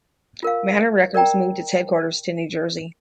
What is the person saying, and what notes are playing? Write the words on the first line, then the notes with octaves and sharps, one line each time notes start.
Manor Records moved its headquarters to New Jersey.
F4 A#4 F5
A#4 D5 G5 A#5